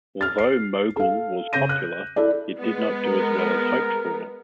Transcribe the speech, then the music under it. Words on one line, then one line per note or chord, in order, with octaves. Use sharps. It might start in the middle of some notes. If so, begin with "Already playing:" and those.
Although "Mogul" was popular, it did not do as well as hoped for.
F6 A6
C7
A4 F5
C#3 C#5 G6 A#6 D#7
F#6
E4 A4 D5
G#3 B3
A#4